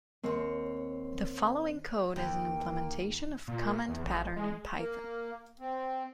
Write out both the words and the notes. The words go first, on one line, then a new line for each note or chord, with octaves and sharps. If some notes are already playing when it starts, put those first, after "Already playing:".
The following code is an implementation of Command pattern in Python.
D#2 C4 C#5
D#2 A#3 G5
A#2
E2
A1
G#3
A#3
C4